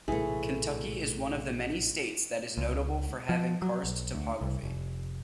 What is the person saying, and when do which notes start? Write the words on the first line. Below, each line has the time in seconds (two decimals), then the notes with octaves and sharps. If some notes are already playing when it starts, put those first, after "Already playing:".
Kentucky is one of the many states that is notable for having karst topography.
0.08 A#1 A2 C3 E3 A3 G#4
2.57 C#2
3.29 F3
3.62 F#3
3.84 B1
4.14 D2
4.41 C2
4.63 F1